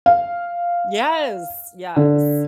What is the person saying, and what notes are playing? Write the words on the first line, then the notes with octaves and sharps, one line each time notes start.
Yes, yes,
F5
D3